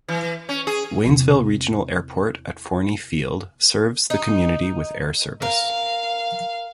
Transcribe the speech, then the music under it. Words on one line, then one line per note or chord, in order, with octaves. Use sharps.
Waynesville Regional Airport at Forney Field serves the community with air service.
E3
C#4
G#4
E2 C3
D#4
A#4 F5